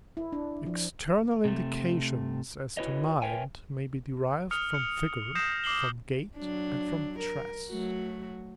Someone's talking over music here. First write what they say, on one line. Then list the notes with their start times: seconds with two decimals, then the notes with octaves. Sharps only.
External indications as to mind may be derived from figure, from gait, and from dress.
0.17 E4
0.33 D4
0.66 F3
1.45 C3 A3
2.77 E4 F#4 B4 C#5 D#5
3.22 A#4 B4 C#5 E5 G5 G#5
4.51 D#6 F6 C#7 F7
4.72 F6 C#7
5.35 D#6 G6 A#6 C7 C#7 E7
5.64 D6 C7 F#7 G7
6.37 F#3 D4
7.19 A#4
7.69 F#3 A3 F#4